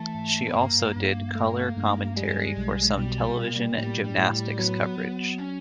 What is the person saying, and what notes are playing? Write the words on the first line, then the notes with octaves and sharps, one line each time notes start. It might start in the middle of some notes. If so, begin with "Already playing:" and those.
She also did color commentary for some television gymnastics coverage.
Already playing: E3 A3
G#2
B3
G2 A#3
G2
A3
G2
G3 G#3
B1
B2 G3
A#3
A2 G3
G3
A2
G3
F#3 B3
F#3
C#4